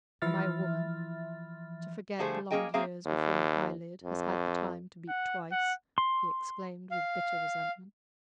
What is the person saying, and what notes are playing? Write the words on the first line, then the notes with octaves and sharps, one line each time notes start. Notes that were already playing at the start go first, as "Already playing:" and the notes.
"Am I a woman, to forget long years before an eyelid has had the time to beat twice?" he exclaimed, with bitter resentment.
E3 F3 E5 F6 A6
D3 F3 G3 A3 G#4 C5
A#3 C4 C#4 G#4 D#5 G5
A#3 C4 G#4 C5 E5 F5
D#2
F2
F#5
F#5
C6
F5